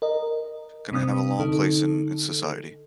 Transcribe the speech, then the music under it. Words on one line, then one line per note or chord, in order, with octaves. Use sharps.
gonna have a long place in in society.
A#4 D#5
C3 C4 D#6
D3 D#4 A4